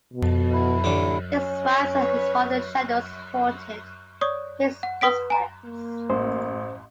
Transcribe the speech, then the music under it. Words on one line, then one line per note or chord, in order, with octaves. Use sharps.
His wife's and his father's shadows haunted his prospects.
B2
E4
A1 D3 D6
C#4
B4 C#5
C#5 D5 C#6 D#6
F#5
B4 D#6 B6 D7
G#5 A#5
A#3
A1 C5